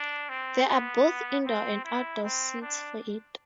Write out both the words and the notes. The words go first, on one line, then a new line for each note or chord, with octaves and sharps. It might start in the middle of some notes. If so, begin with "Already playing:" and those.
There are both indoor and outdoor seats for it.
Already playing: D4
C4
B3
C4
E4
C4
D4